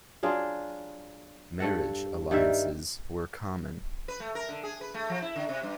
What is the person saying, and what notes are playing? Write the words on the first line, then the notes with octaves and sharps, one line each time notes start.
Marriage alliances were common.
F#3 D4 F4 G#4
G2 A4 F#5
G2 D#3 G3 E5
B4
A3
A#4
D3
G#4
B4
A3
F3
E4
D3
C3
G2